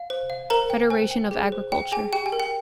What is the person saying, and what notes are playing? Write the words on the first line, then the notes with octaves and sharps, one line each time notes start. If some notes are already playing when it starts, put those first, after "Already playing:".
Federation of Agriculture.
Already playing: F5
C5
F5
A#4 C5 A#5
G5
C5 G#5
G5
G#4
C5
G5
G#4 G#5
G4 G5
G#5
A#4
G5